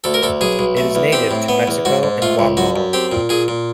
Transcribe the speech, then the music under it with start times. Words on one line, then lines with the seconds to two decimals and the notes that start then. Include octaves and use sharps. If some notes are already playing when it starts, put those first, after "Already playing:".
It is native to Mexico and Guatemala.
0.04 D2 A4
0.14 A#4
0.23 D2 A4
0.41 B1 G#4
0.59 B1
0.77 A3
0.95 E2
1.12 C4 G4
1.31 A2
1.49 B3
1.68 E2
1.85 G#2 F#4
2.03 G#2
2.22 A3 F4
2.39 C#2
2.57 F#2 F#4
2.76 F#2
2.93 C4 G4
3.12 A#2
3.29 A#2 G#4
3.48 A#2